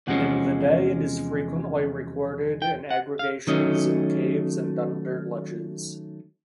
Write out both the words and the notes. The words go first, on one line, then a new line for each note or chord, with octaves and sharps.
In the day it is frequently recorded in aggregations in caves and under ledges.
E2 C3 F3 G#3 C#4 F#5
G5
F#5
F5
D#3 F#3 A3 C#4 D#5